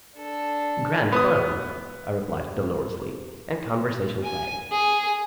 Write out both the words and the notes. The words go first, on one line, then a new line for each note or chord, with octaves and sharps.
"Grand fun!" I replied, dolorously; and conversation flagged.
D4 A4
B3 D#6
G#5
G#4